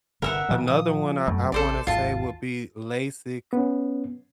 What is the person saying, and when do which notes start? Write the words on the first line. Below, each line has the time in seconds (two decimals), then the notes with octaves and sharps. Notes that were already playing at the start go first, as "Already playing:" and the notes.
Another one I I wanna say would be LASIK,
0.22 G1 C3 G3 A#4 E5 F#5
0.49 A#2 D#3 F3 G3
0.68 F3 D#6
1.28 F#2 F#3 G3 A3
1.52 A1 C4 A4 C5 D5
1.87 G#1 D#2 F4 A5
3.53 B3 C#4